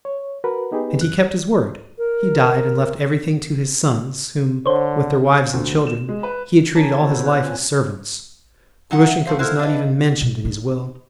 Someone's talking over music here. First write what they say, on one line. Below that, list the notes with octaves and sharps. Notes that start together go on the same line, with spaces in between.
And he kept his word; he died and left everything to his sons, whom, with their wives and children, he had treated all his life as servants. Grushenka was not even mentioned in his will.
C#5
F#4 A#4 B4
B3 D#4 G4 G#4 B4
F#2 F#6
A#4
D3 C5 C#5
D2
E7
G#3
B4
C#4 B4 C#5 A5 A#5 A6
B3 E4 F#4 A4 C5 C#5
B4 C5 F#6
C4 C#4 F4 C#5 G#5 A5
F#3 D#4 F#5
E5
A3 C5 F5 F#5
E4 A4 A#4 C5 F6 F#6
D4 B4 D#5 F5
B2
D#4